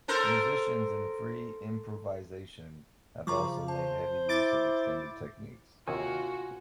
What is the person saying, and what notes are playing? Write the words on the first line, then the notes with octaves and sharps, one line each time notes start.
Musicians in free improvisation have also made heavy use of extended techniques.
A4 A#4 C5
C#3 F3 A#5 C#6 D6
C5 A5
E4 D6 A6
D#2 C3 D#3 F4 F#4 G#5